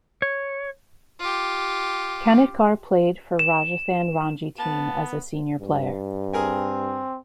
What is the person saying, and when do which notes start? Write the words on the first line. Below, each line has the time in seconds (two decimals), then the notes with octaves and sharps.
Kanitkar played for Rajasthan Ranji team as a senior player.
0.22 C#5
1.20 F4 G4
3.39 E7
4.59 B3 A5
5.59 G2
6.33 C4 G#4 A#4 G#5